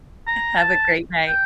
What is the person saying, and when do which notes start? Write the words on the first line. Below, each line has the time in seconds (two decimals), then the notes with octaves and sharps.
Have a great night.
0.27 A#5
0.60 A5
1.27 G5